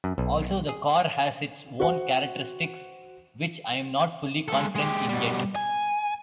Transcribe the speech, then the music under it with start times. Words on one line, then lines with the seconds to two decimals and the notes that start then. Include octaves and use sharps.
Also, the car has its own characteristics which I'm not fully confident in yet.
0.04 F#2
0.18 B1
0.69 G#4
1.80 F#4 C5 F#5
4.48 G#3 A4
4.76 G#3 G4
5.09 B2 G3
5.56 G#5